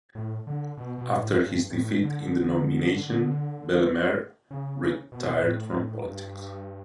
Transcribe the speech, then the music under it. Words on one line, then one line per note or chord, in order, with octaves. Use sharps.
After his defeat in the nomination, Bellemare retired from politics.
A2
D3
B2
B2
A2
G2
A2
D3
C#3
B2
A2
A2
G2